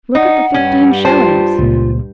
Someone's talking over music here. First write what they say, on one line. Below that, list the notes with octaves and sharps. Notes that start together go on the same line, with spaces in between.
Look at the fifteen shillings!
D#4 F#5
G2 G3 C#4
F4 C5 A5
C#2 A#2